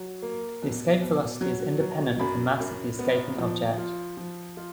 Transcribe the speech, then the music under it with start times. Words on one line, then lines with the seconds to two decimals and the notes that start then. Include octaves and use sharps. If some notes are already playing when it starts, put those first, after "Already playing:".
The escape velocity is independent of the mass of the escaping object.
Already playing: F#3
0.22 A#3
0.62 B2
1.02 B2
1.41 F#3
1.80 F#3
2.20 F#2 B5
2.59 F#2
2.99 B3
3.39 F3
3.78 F4
4.17 F3
4.57 F4